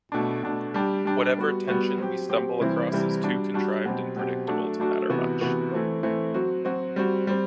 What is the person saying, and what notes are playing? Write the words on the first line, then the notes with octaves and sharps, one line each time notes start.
Whatever tension we stumble across is too contrived and predictable to matter much.
B2 A3 D4
B2 A3 D4
G3 D4 G4
G3 D4 G4
G3 B3 F#4
G3 B3 F#4
F#3 C4 G4
F#3 C4 G4
C3 E3 G3 C4 E4
C3 E3 G3 C4 E4
G3 D4 F#4
G3 D4 F#4
B2 F#3 C4 G4
B2 F#3 C4 G4
F#3 A3 D4 F#4
F#3 A3 D4 F#4
C3 E3 B3 F#4
C3 E3 B3 F#4
E3 A3 C4
E3 A3 C4
F#3 C4 F#4
F#3 C4 F#4
G3 C4 F#4
G3 C4